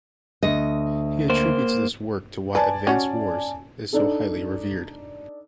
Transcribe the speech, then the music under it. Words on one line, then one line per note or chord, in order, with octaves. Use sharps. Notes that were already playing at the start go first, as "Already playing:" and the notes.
He attributes this work to why "Advance Wars" is so highly revered.
D2 D#5
A#3 C5
B4 D5 G#5 A5
C#4 F#4
D4 D#4 A4